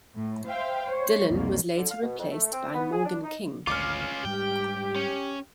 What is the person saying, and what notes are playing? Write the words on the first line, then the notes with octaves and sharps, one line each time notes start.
Dillon was later replaced by Morgan King.
A2
C5 E5 F5 G5
C5 C#5
C2 F2 B2 A#3
D3
F5
B2
F2
A3
C4
B3
G#4
D4
D#4
G#1 D2 C#4 F4 D6 F6
G#2 G3 G4 G5
C#4